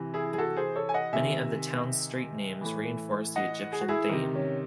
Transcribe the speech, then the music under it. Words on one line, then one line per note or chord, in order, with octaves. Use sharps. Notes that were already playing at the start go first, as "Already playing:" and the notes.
Many of the town's street names reinforce the "Egyptian" theme.
Already playing: C3 E3
E4 G#4
G#4
F#4 A4
G#4 C5
A4 C#5
G#5
D#5 F#5
C3 D#3 E5 G#5
A2 E3
D#5 F#5
G#4
F#4
E4 G#4
C3 D#3
C#4